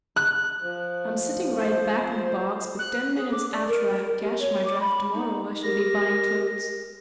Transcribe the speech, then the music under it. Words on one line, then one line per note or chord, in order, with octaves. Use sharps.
I am sitting right back in the box, but ten minutes after I have cashed my draft tomorrow I shall be buying clothes.
F#6
F3
C5
F#6
G#4
D6
D5
A#4
G4
C#5
D6
B5
D#4
G4 A#4 A#6